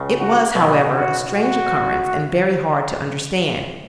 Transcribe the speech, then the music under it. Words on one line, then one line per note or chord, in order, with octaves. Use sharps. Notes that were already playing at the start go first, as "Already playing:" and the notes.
It was, however, a strange occurrence and very hard to understand.
Already playing: C#2 C#3
F#4
B1 B2 D4
F#4
F#4